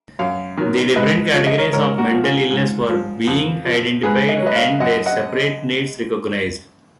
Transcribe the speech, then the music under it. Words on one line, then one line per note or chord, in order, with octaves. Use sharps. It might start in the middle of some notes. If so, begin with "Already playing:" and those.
The different categories of mental illness were being identified and their separate needs recognised.
F#2 C#5 F5
D#3 F#3
G#2 B4 D#5
F3 C#5
D#5
A#4 C#5
G#2 A#4 C#5
F#4 A#4
F3
F4 G#4
G#2
F3
F2
F3
G#2 G#4 B4
D#5
C#5
F#3 B4 D#5
C#5 F5
F#2 D#5 F#5
D#5 F#5